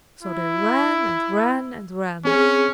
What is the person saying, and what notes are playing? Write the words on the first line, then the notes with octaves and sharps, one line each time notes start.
So they ran and ran and ran.
E4
C4 C#4 G#4